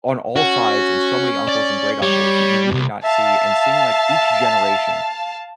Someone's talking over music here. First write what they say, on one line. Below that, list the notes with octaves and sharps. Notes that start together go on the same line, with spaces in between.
on all sides, and so many uncles and great-uncles that you really not see, and seeing, like, each generation
C#4 F#4
D5
G3 C#5
C2 F2
E5 F5 A5